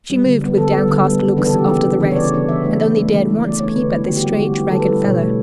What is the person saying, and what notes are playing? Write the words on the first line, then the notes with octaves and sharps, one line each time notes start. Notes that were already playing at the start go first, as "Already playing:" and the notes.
She moved, with downcast looks, after the rest, and only dared once peep at this strange ragged fellow.
G3 B3
D3
G3 B3
D3 A4
G3 B3
D3
G3 B3
C#3
E3 B3 D4
A4
C#3 G4
E3 B3 D4
C#3
E3 B3 D4
C#5
C#3 D5
E3 B3 D4
E3 E5
A3 D4
E3
A3 D4
E3
A3 D4
E3 D5
A3 D4 C#5
D3 B4
G3 B3 E4
D3 G4
F#4
G3 B3 E4 G4
D3 G4
G3 B3 E4
D3 A4
B4
G3 B3 E4 A4
B2 C#5
A3 D4